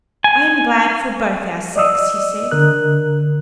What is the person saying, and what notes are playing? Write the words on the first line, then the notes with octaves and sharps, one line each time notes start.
"I am glad for both our sakes," he said.
G#5
D5 D#5 D#6 E6
D3 A#4 F#6